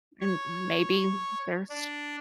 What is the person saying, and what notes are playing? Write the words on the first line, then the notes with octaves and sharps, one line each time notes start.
And maybe there's
C#5
D4